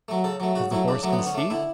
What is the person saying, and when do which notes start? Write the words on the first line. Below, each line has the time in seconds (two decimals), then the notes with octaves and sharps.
Has the horse conceived?
0.08 F#3 A3
0.24 C#3 A4
0.40 F#3 A3
0.55 C#3 F#4
0.71 F#3 A3 E4
0.88 C#3 D4
1.03 F#3 A3
1.13 B3
1.19 D3
1.26 C#4
1.34 A3 D4
1.50 D3 E4